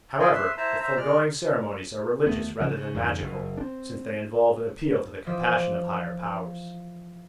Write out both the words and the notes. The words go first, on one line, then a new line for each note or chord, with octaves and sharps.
However, the foregoing ceremonies are religious rather than magical, since they involve an appeal to the compassion of higher powers.
F4 G#4 D5 D#5 G5 G#5
B4 E5 C6
E4 C5 E5 A5 A#5
C5 E5 A#5
G#3 D5 F6
D#2 A3 B3
C#3 F3 G#3 A#3
C#3
F2 G#2 D3
F#1
C4 D4
E3 F3 C5 D#5 D6 B6